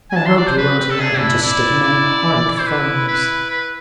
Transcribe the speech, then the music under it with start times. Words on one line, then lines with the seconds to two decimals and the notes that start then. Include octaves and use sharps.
'I hope you won't allow them to stick in any horrid foreigners!
0.10 G#5
0.16 D4 A5
0.26 C6
0.37 D5
0.47 C5
0.58 C4 B4
0.79 B4
0.90 A4
1.00 D4 G#4
1.20 E4
1.41 E4 D5
1.83 D5
2.25 E4
2.59 C5
2.67 B4
3.08 B4
3.50 B4